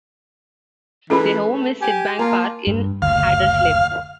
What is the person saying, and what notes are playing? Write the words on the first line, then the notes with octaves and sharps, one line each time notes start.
Their home is Sydbank Park in Haderslev.
E3 C#4 F4 G#4 A4 B4 B5
A3
G4 G#5
A#3 F4 A5 A#5
G2
F#1 D2 F5